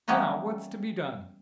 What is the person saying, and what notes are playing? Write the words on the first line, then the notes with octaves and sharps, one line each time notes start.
"Now, what's to be done?"
E3 G3 A#3 B3 C#4 D#4